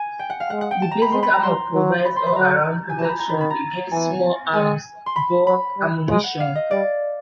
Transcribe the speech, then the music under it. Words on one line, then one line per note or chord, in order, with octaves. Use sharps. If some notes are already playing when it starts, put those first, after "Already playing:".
The basic armour provides all-around protection against small arms ball ammunition.
Already playing: G#5
G5
F#5
F5
G#3 F#5
F#5
G5
A5
A#5
B5
G#3 C6
B5
A#5
G3 C6
F#3
B5
C6
B5
F#3 A#5
G#5
E3 A5
A#5 B5
A#5
D#3 B5
B5
A#5
E3 G#5
G#3 G#5
C6
B5
F#3 B5
G3
G#3
F#5
F5
D#5
G3 D5